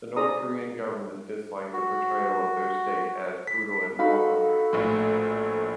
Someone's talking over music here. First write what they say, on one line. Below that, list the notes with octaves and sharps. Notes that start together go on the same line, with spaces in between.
The North Korean government disliked the portrayal of their state as brutal and war-hungry.
G#4 D5 A#5 D#6
F#4
B6
D#4 F#4 A4 F5 B5
A#1 A2